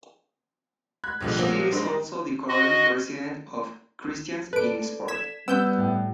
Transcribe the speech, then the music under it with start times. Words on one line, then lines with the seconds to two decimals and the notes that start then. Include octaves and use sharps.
He is also the current president of "Christians In Sport".
1.04 B5 F#6 G#6
1.21 B1 A2 D3 F3 G3 G#3
1.37 A#2 F3 F#3 A#3 C4
1.72 G3 G#3 D4 D#4 C5
2.49 F#4 D#5
4.53 A4 B4 D5 D7
5.08 G#6 B6 E7
5.48 G3 B3 E6 G6
5.78 A2